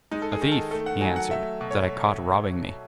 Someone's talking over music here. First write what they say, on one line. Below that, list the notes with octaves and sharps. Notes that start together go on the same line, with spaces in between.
'A thief,' he answered, 'that I caught robbing me.'
G#3 D#4
A4
G#4
D#3
A4
A3 A4
F#5
F#3 G#5
F#5
A3 E5
B2
C#5